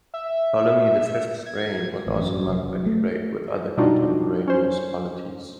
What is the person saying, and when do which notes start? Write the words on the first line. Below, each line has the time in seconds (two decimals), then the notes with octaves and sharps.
Ptolemy the Fifth's reign was also marked by trade with other contemporaneous polities.
0.14 E5
1.46 G#6
2.07 A1
2.21 F#2
2.47 F1
2.63 F#3
2.86 A3
3.77 B2 G3 D4 D#4 F4 F#4
4.48 C#4 C5